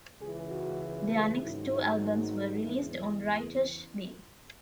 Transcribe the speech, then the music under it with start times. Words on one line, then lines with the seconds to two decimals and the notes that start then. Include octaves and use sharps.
Their next two albums were released on Righteous Babe.
0.21 C#2 C#3 E3 G#4
0.51 F#4
1.41 G#2 D#3 F#3 E4
1.71 E4
2.32 F#4
2.62 E2 C#3 E3 E4